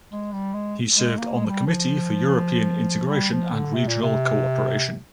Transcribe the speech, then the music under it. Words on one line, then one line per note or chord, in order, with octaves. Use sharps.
He served on the Committee for European integration and regional cooperation.
G#3
G3
G#3
G#3
A#3
G#3
F3
G3
F3
G3
F3
D3
C3
A#2
C3